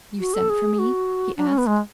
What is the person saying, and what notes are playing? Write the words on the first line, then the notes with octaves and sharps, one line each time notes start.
"You sent for me?" he asked.
F#4
A4
G#4
F#4
D4
C#4
B3
G#3